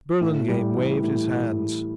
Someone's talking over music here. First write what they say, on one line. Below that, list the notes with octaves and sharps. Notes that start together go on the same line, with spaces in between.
Burlingame waved his hands.
A2
G3
E3
A2